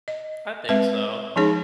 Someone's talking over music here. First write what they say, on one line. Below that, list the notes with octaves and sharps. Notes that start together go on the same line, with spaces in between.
I think so.
D#5
G#3 C4 B4 E5
F3 G#3 C#4 D#4 G#4 C#5